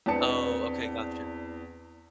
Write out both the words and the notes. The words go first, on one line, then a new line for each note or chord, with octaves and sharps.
Oh, okay. Gotcha.
E2 C4 D4 B4 A5 C#7